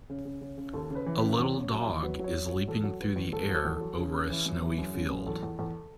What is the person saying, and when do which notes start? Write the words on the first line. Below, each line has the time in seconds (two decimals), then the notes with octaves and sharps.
A little dog is leaping through the air over a snowy field.
0.10 C#3
0.25 C#3
0.41 C#3
0.58 C#3
0.74 D#2 A4
0.90 C#3
0.95 B4
1.06 E3
1.17 C#3 B4
1.38 E2 C#5
1.55 C#3
1.60 C#5
1.71 F#3
1.81 E5
1.88 E2
2.03 F#3 B4
2.19 F#3 C#5
2.35 F#3
2.46 C#5
2.52 F#3
2.68 E2 A4
2.84 F#3
3.01 F#3 B4
3.16 E2
3.33 E2 A4
3.49 F#3
3.54 A4
3.65 E2
3.76 F#3 A4
3.97 C#3 G#4
4.14 C#3
4.30 E3
4.46 F#2
4.62 E3
4.78 F#2
4.94 C#3
5.10 F#2
5.26 E2 A4
5.43 E2
5.59 E2 A4